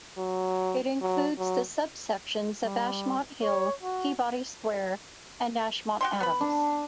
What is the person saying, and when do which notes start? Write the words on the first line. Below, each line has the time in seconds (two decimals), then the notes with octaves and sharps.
It includes the subsections of Ashmont Hill, Peabody Square, and Ashmont-Adams.
0.17 F#3
1.01 F#3
1.38 F#3
2.64 G3
3.42 C#5
3.83 F#4
6.01 F#4 G4 C6
6.20 B3 B5
6.41 D4